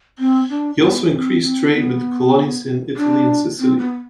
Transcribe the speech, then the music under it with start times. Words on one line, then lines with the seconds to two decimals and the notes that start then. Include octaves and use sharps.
He also increased trade with the colonies in Italy and Sicily.
0.19 C4
0.49 D4
0.81 B3
1.12 D4
1.15 C4
1.42 C4
1.73 B3
2.97 D4
3.58 C4
3.79 B3